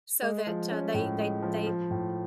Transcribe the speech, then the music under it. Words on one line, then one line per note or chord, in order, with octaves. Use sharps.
so that, uh, they they they
G#3
F3
C#4
A2
G#3
F3
F3
A2